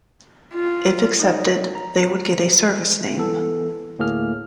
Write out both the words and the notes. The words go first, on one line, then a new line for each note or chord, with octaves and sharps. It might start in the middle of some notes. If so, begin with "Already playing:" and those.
If accepted they would get a service name.
F4
D#4
A#5
E3 B3 A4
D2 A2 A#3 G#4 F6